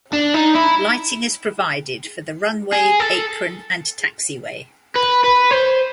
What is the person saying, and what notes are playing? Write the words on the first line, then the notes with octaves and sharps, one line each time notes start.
Lighting is provided for the runway, apron, and taxiway.
D4
D#4
E4
G#4
A4
B4
B4
C5